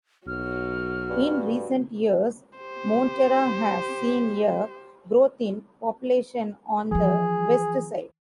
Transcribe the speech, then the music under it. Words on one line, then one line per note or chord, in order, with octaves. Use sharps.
In recent years, Monteria has seen a growth in population on the west side.
B1 F#3 F6
G2
G4 C5
E3 F3 G#4